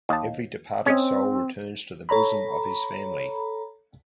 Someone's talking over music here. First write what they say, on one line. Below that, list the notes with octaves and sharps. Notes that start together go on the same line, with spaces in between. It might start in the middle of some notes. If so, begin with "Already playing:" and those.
Every departed soul returns to the bosom of his family.
D#2 D#5 A5
C4 C#4 C#5 D#5
A4 C#5 A#5 B5